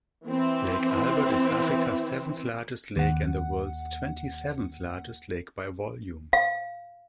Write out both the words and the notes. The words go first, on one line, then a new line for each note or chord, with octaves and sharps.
Lake Albert is Africa's seventh-largest lake, and the world's twenty-seventh largest lake by volume.
E3 C4
D#2 F#5
F5